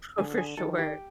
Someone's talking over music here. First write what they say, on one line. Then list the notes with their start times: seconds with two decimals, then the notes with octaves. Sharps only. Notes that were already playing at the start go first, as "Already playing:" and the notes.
Oh, for sure.
0.18 D3 G#4
0.37 G#4
0.57 D#3 A4
0.78 G4